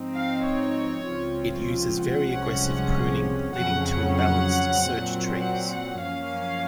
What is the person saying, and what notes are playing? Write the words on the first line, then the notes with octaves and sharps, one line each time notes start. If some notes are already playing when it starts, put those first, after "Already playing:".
It uses very aggressive pruning, leading to imbalanced search trees.
Already playing: G#2 F3 C4 D#4
F5
C#5
C#2 C#3 F3 C4 F4
F#5
C2 C3 F3 G#3 C#4
F2 C#3 F#3 C#4 F#5
F#5
F#5
A#2 F#3 C4
F#5
F#5
F#2 F3 A#3 C#4 F5